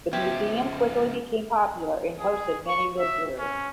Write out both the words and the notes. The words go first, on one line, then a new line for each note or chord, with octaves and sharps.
The museum quickly became popular and hosted many visitors.
C#2 F3 B3 G4 E5 G#6
G#4
C#6
E5
C#4